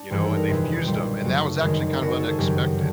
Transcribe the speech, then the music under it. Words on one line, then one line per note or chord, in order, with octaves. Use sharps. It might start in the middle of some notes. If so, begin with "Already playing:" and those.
you know, and they fused them, and that was actually kind of unexpected,
Already playing: D4
G#1 G2 E3 G3 G#4
A4
A#4
G1 F2 C3 E3 G#3 B4
B1 A#2 G3
G#1 F#2 C#3 F#3 A3 F#4
G1 F#2 D#3 G#3
F#1 F#2 D#3 F#4
G#4
A4
G#4
G1 F#2 C#3 F#3 G4
D3